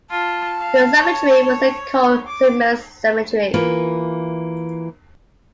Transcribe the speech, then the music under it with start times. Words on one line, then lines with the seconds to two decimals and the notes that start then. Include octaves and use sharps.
The cemetery was then called Saint Mary's Cemetery.
0.10 F4 A5
0.58 F5
0.98 C#5
2.27 D6
3.54 E3 A#3 F4 B4